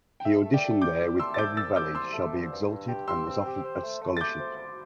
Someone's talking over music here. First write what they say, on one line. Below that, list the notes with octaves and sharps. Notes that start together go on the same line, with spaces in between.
He auditioned there with Every Valley Shall be Exalted and was offered a scholarship.
G5
A3 E5
A3
D5 G5
C2
C2 D6 G6
C2
A3 C6 E6
A6
C2 D6 G6
C2 E6 A6
C2 D6 G6
C2 C6 E6
A3
C2
G2
G2
G4
G2 C6 E6
C4
G4
C5
A3
A3
A6
A3 D6 G6
C5
C5